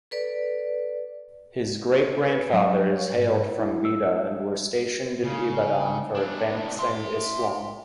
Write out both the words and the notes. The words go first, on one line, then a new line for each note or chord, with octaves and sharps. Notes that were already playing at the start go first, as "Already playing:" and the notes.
His great grandfathers hailed from Bida and were stationed in Ibadan for advancing Islam.
A4 B4 D5
C#5
B4
F#3
C#5
G#2
E4
E6
C#3
B3 D4
E5 C6